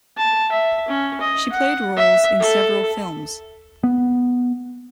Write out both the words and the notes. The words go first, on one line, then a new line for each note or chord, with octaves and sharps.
She played roles in several films.
A5
E5
C#4
D#5
F#5
E5
A4
B3